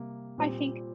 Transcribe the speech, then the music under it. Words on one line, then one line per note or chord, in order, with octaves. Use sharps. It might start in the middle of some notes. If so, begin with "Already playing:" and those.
I think
Already playing: C3 G3 A#3
A#2 G3 C4